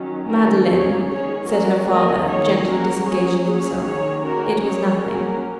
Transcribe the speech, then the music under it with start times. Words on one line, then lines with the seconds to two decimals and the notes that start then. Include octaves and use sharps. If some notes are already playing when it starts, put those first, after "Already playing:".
'Madeline,' said her father, gently disengaging himself, 'it was nothing.'
Already playing: D#3 F#3 C#4
0.29 D#3 A#3 C#4 F#4 A#4
0.68 F#3 A#3 C#4 G#4 C#5
1.08 D#3 G#3 C#4 G#4 C#5
1.47 F#3 A#3 C#4 F#4 A#4
1.87 F#3 A#3 C#4 A#4 D#5
2.26 D#3 A#3 C#4 G#4 C#5
2.65 F#3 A#3 C#4 F#4 A#4
3.04 F#3 A#3 C#4 G#4 C#5
3.44 F#3 C#4 G#4 C#5
3.84 D#3 A#3 C#4 G#4 C#5
4.23 D#3 A#3 C#4 F#4 A#4
4.63 F#3 A#3 C#4 G#4 C#5
5.02 F#3 A#3 C#4 F#4 A#4